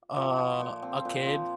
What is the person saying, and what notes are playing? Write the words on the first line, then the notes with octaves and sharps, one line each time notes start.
Uh, a kid,
F3
F3
A#2
C4
A#2
F3